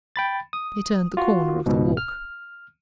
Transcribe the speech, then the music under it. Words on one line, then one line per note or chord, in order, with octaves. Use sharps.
They turned the corner of the walk.
G5 B5 A6
D#6
F4 F#4
C#2 G#2 B2
F6